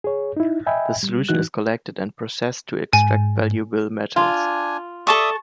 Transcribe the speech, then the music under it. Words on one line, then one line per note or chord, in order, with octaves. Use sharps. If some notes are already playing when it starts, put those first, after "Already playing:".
The solution is collected and processed to extract valuable metals.
G#4 C#5
D#4 E4
D#5 E5 G5 G#5 B5
G3
E3 D#4 F#4 F#6
G#2 G#5
D4 F4 G#5
A4 D5 E5 A5 C#6 D#6